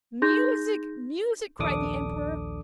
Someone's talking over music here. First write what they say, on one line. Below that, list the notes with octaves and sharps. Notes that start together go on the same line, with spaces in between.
"Music! music!" cried the Emperor.
D#4 G#4 C6 G6 A#6
A#1 D#2 D4 A4 D6 D#6